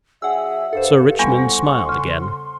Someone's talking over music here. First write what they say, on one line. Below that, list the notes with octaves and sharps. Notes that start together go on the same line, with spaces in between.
Sir Richmond smiled again.
F#3 D4 G#4 E5 F#5 E6
G2 A4 C5 F5
E2 G3 B3 F#5 G#5 C6 C#6
C#3 F#6